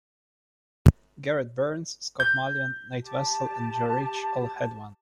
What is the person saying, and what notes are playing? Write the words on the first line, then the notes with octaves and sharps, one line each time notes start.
Garrett Byrnes, Scott Malyon, Nate Wessel and Joe Rich all had one.
G6
G4 A5